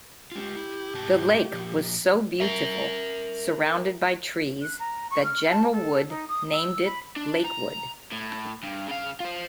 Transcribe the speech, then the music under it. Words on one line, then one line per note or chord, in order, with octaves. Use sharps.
The lake was so beautiful surrounded by trees that General Wood named it Lakewood.
G#3 F4 G4
E4
G#2 C3 A5
A#2 F3
A#4 E5
F#6
A#5
C#6
F6
A5
A4
D#4
D#6
E6
B5
D4
A#5
A2
G2
C#3 F5
F4 C5